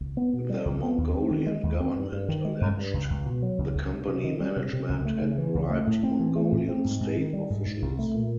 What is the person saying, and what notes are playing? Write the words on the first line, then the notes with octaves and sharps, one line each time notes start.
The Mongolian government alleged the company management had bribed Mongolian state officials.
C#2
B3
B2
G3
C#2
B3
D#2
C4
D#3
G#3
D#2
C4
G2
G2
D#3
G#3
G2
G2
C#2
C#2
B2
F#3
C#2
C#2
C3
C3
D#3
G3
C3
C3
C#2
A3
C#3
E3
C#2
A3
A2
C4
E3
A3
A2
C4
G#2
G#2
D#3
G3
G#2
G#2
C2
A3
A#2